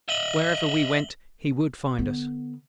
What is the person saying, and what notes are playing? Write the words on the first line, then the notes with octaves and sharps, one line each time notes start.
Wherever we went, HE would find us.
D#5 E5 F#7 G7
D3 B3